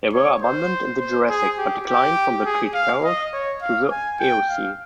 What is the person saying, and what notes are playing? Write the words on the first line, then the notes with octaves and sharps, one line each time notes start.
They were abundant in the Jurassic, but declined from the Cretaceous to the Eocene.
C#5
C5
C5
G#4
G4
G4
G#4
F5
D#5
C#5
F5
G#5
G5
F5